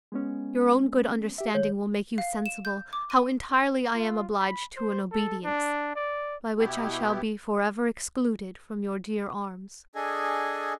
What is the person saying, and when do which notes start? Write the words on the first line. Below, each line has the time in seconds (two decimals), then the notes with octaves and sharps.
Your own good understanding will make you sensible, how entirely I am obliged to an obedience, by which I shall be for ever excluded from your dear arms.
0.12 G#3 B3 C#4
1.38 G4 E5
1.55 D#3 C#5
2.18 F5
2.46 E7
2.65 G6
2.93 D6
3.10 D#7
3.94 F4
4.39 B5
4.77 C5
5.12 A4
5.44 D4
5.96 D5
6.58 B2 B3 E4 G4
9.95 D4 G#4 A4 D#5 G#5